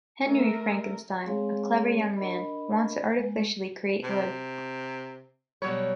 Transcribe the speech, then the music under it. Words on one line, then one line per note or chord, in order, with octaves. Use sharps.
Henry Frankenstein, a clever young man, wants to artificially create life.
A3 A#4
G#3 C4 G#4 C#5 F5 C6
D4 A#4 D#5 B5
G#3
C3
B2 F#3 G3 C#5